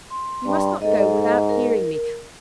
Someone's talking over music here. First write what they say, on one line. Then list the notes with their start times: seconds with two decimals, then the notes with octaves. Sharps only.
You must not go without hearing me.
0.10 C6
0.47 G2
0.82 G#2 A4 D#5
1.49 A#4